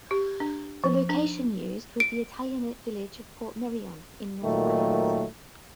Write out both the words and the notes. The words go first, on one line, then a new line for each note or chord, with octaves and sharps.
The location used was the Italianate village of Portmeirion in North Wales.
G4
D4
F3
D4
D7
A#2 D#3 F#3 A3